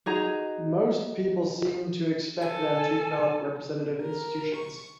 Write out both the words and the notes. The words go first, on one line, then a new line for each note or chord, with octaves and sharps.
Most people seemed to expect them to develop representative institutions.
D#4 F#4 G#4 A#5
A4 G#5
A#4
C#6